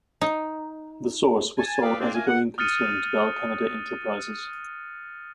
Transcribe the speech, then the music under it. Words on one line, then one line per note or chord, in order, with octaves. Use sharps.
"The Source" was sold as a going concern to Bell Canada Enterprises.
D#4
G#5 A5
G#4 A4 B4 D5 F5 G5
A#3 C4 D4
A3 A#3 A#4 G#5
F#5
D#6 F6 F#6 A6 C#7 D#7